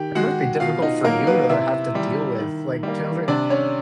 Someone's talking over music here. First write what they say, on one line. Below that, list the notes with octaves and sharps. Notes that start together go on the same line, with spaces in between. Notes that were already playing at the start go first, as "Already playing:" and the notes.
That must be difficult for you to have to deal with, like, children
Already playing: D#3 G4 G5
G#3 F#4 F#5
B2 F4 F5
D#4 D#5
F#3 A#3 A#4
B3 B4
C3 E4 E5
E3 G3
D#3
G3 A#3
C3 D4 D5
C#4 C#5